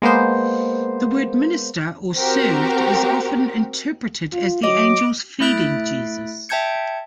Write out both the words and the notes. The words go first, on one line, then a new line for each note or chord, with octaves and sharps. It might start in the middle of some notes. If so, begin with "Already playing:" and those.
The word "minister" or "served" is often interpreted as the angels feeding Jesus.
G#3 A#3 B3 C5
C4 F#4 G4 A#4
F4
F#3 D#5 D6
A3 E4 E5 F#6 A6 D7
E5 G5 A5 G6 G#6 C#7